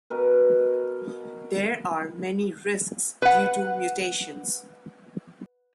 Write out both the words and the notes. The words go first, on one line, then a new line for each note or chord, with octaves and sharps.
There are many risks due to mutations.
B2 A#4 B4
B4 F#5